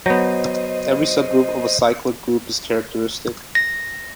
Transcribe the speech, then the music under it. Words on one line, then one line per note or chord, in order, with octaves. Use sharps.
Every subgroup of a cyclic group is characteristic.
F#3 B3 C5 D#5
A#6